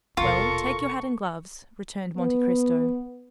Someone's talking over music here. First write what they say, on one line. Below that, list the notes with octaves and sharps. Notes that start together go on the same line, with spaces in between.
"Well, take your hat and gloves," returned Monte Cristo.
D#1 B2 F4 A4 A#4 C#6
B3